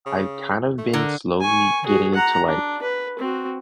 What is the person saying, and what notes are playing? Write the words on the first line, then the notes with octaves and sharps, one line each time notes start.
I kind of been slowly getting into, like
C#3
A3
D3 A#4
G#5 C#6
F#4 G#4
F#5 A#5
D4
B4
C4 F#4